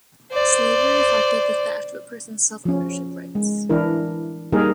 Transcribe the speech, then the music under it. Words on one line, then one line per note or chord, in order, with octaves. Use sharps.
Slavery reflected the theft of a person's self-ownership rights.
C5 D5
F3 C#4
G#3
E3 D4 E4 A#4
G3 A#3 D#4 G4 G#4 A#4